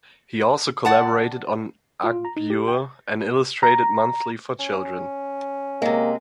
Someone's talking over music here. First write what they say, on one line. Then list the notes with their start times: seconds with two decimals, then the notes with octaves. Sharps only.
He also collaborated on "Aghbyur", an illustrated monthly for children.
0.85 D5 F#5 A5
2.04 F4
2.25 A#5
2.37 D#4
2.50 G4
2.68 G5
3.63 A#5
4.59 C#4
5.82 C3 G#3 A#3